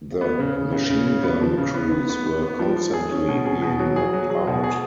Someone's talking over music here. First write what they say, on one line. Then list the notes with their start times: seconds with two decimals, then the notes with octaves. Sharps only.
The machine gun crews were constantly being knocked out.
0.21 B3
0.39 C#3
0.56 C#3
0.72 C#3
0.90 C#3
1.07 C#3
1.23 B3
1.41 F3
1.58 C#3
1.74 B3
1.92 B3
2.09 B3
2.26 B3
2.43 B3
2.59 F3
2.76 F3
2.94 G#4
3.11 C#4
3.29 B2
3.46 G#4
3.62 B2
3.79 F#3
3.96 G#4
4.13 F#3
4.30 G#4
4.47 B2
4.64 G#4